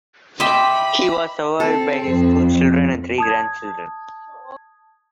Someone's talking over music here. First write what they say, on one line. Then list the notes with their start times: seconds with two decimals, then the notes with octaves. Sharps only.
He was survived by his two children and three grandchildren.
0.40 D#5 E5 G5 B5 C6 D6
1.60 C4 A4
2.05 F2
3.18 A5 D#6 G#6